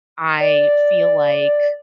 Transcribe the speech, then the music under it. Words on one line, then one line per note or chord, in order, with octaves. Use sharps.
"I feel like
D5